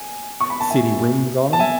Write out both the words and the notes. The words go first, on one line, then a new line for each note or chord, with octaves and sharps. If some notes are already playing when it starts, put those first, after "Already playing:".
See any rings on him?
Already playing: G#5
C#6
B5
A5
E5 G#5
A5
E5 G#5